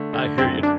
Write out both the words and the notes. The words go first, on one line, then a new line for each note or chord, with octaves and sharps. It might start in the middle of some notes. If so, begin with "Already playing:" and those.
I hear ya.
Already playing: D3 A3
D3
F#2 C4
D4